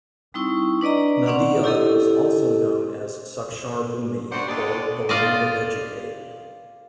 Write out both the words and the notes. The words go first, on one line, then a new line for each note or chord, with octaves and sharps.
Nadiad was also known as 'Sakshar Bhumi', or The land of educated.
G3 C4 D#4 E4 C#6
D4 B4 D5 D#5 A#5
C4 C#4 D5 F#5
E4 G4 A4 D#5
D2 G2 F#4 C5 D5 F#5
D#2 D3 G#3 D4 D5
F4 D5 D#5